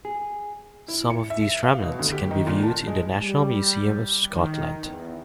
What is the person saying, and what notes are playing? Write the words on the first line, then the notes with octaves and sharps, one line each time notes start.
Some of these remnants can be viewed in the National Museum of Scotland.
G#4
E4
C#7
E5
F5
B2
D2
G4
D#3
A#2
A5
G#3
G3
D#3
E2